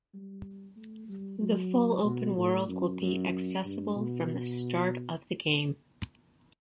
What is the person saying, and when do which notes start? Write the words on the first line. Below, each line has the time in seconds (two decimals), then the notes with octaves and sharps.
The full open world will be accessible from the start of the game.
0.14 G3
0.76 A3
1.08 G3
1.40 F#3
2.04 B2
2.36 A2
2.68 F#2
3.01 F#2
3.65 G2
3.96 B2